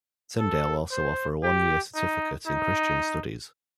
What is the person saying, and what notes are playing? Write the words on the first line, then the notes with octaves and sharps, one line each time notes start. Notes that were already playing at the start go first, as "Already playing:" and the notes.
Tyndale also offer a one-year Certificate in Christian Studies.
A4
C5
G4
D#4
D#4